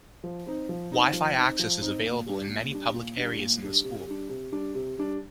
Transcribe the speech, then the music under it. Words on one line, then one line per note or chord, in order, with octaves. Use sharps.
Wi-fi access is available in many public areas in the school.
F3
C4 D#4
F3
C4 D#4
F3
C4 D#4
F3
C4 D#4
A#2
G3 D4
A#2
G3 D4
A#2
G3 D4
A#2
G3 D4
C3
G3 D4
C3
G3 D4
C3
G3 D4